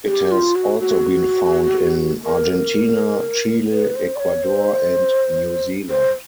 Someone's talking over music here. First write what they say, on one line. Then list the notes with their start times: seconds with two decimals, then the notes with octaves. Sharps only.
It has also been found in Argentina, Chile, Ecuador, and New Zealand.
0.07 G4
0.31 F4
0.55 F#4
0.80 F#4
2.25 A#4
3.71 B4
3.96 C5
4.16 D5
4.20 C#5
4.44 C5
5.90 C5